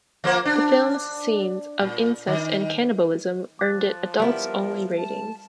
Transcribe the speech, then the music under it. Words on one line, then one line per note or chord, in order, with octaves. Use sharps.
The film's scenes of incest and cannibalism earned it adults-only ratings.
F3 A#3 C5
D4
A#2
D#3
F3 D6 F#6 A6
G3 B3 E4 A#4 E5
A5